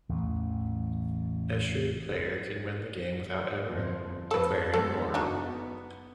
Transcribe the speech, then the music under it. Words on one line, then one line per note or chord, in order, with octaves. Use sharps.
A shrewd player can win the game without ever declaring war.
A1 E2
G1 F2
F2 F3 A4 B4
G#3 B3 A4
F#1 D4 D#4 F#4
B3